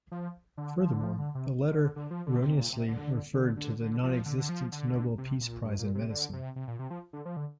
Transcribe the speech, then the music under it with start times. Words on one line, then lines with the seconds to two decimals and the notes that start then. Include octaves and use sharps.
Furthermore, the letter erroneously referred to the nonexistent Nobel Peace Prize In Medicine.
0.12 F3
0.58 D3
0.80 F3
0.93 D3
1.03 F3
1.19 D3
1.35 C3
1.72 D3
1.96 D3
2.11 F3
2.27 D3
2.42 C3
2.57 A#2
2.73 C3
2.88 D3
3.34 D3
3.57 D3
3.80 D3
4.03 F3
4.26 D3
4.38 D3
4.49 F3
4.72 D3
5.18 C3
5.41 A#2
5.64 G2
5.79 A#2
5.95 C3
6.10 D3
6.33 C3
6.56 C3
6.68 A#2
6.79 C3
6.90 F3
7.13 D3
7.25 F3
7.37 D3